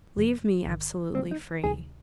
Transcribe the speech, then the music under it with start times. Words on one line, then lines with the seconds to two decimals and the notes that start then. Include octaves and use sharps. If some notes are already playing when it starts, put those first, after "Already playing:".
Leave me absolutely free.
0.17 F2 C3 F3
0.66 A#1 G#2 D#3
1.15 D3 G3 A#3 C4
1.31 D#4
1.63 D2 C3 D#3 G#3 D#4 G#4